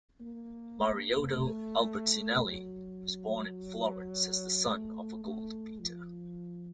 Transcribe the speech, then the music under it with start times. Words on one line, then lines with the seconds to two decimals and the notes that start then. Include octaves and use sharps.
Mariotto Albertinelli was born in Florence as the son of a gold beater.
0.21 A#3
1.32 A3
2.44 F#3
4.69 A3
5.25 A3
5.80 F3